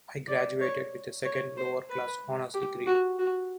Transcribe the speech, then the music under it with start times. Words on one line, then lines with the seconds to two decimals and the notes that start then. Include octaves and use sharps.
I graduated with a second lower class honours degree.
0.28 D5
0.61 C#5
1.25 C#5
1.57 C5
1.90 B4
2.54 G4
2.87 F#4
3.19 F#4